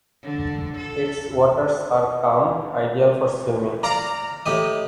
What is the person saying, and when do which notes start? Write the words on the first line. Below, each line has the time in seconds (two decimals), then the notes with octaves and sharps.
Its waters are calm, ideal for swimming.
0.23 D3
0.77 A4
3.83 D5 F5 A#5
4.46 A2 G4 D#5